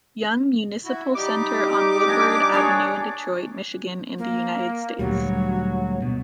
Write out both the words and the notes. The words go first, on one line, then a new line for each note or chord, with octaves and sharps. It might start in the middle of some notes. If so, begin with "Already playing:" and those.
Young Municipal Center on Woodward Avenue in Detroit, Michigan, in the United States.
E4 F#4
G3 D#4 G4 D6
D4 G#5 A#5
D4 G#4 C#5
A#3
D2 A#2 F#3 G3
B2